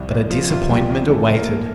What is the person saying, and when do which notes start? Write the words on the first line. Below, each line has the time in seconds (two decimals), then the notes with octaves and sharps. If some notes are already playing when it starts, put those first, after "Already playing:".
But a disappointment awaited.
Already playing: C2 C3 F3 G3
0.11 C2
0.30 F3 F4
0.50 C3 F4
0.69 C2 G3 G4
0.90 C2
1.10 E3 A3 A4
1.29 G2
1.35 A#3 A#4
1.49 A3